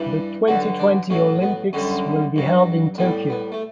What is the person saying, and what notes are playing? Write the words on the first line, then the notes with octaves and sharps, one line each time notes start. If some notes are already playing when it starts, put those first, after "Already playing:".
The twenty-twenty Olympics will be held in Tokyo.
Already playing: G2 E3 G3
G2 D3 F#3 F#4
D4
A2 F#3 C#4
B3
F#2 D3 G3 C#4
G2 F#3
A2 G3 B3
B3
A3